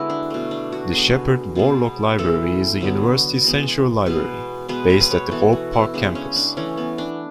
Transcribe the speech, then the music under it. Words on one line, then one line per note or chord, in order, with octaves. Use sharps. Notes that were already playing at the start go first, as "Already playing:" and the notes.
The Sheppard-Worlock Library is the university's central library, based at the Hope Park campus.
Already playing: D3 G#3 B3 E4 F#4
D4
B2 A3
D4
F#4
D3 G#3 B3 G#4
B2 G#3 B3
E3 G#3 B3 A4
D3 F#3 B3
E3 G#3 B3
B2 G#3 B3 B4
B2 G#3 B3 B4
C#5
B4
C#5
E3 B3 A4
F#4
E4
C#3 G#3 B3 D4
C#4
D4
E3 A3 C#4
B3
D4